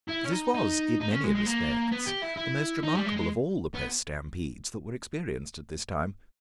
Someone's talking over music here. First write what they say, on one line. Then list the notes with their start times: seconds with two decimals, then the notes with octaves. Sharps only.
This was, in many respects, the most remarkable of all the Press stampedes that were experienced at this time.
0.09 E4
0.25 C#4
0.32 D#4
0.54 D#4
1.00 D#4
1.11 C#4
1.23 G#3
1.35 G#3
1.46 A#3
1.92 B3
2.07 G4
2.22 E4
2.37 E4
2.83 D#4
2.94 G3
3.06 G#3
3.17 G#3
3.74 B3